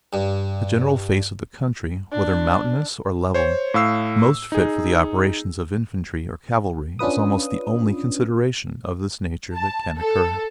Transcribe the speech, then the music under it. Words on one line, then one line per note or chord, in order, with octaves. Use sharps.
The general face of the country, whether mountainous or level, most fit for the operations of infantry or cavalry, is almost the only consideration of this nature that can occur.
G2
D4
C5 C#5
A2 F5 E6 C7
D#4 G#4
C#4 D4 F4 B4 D#6
A5
A4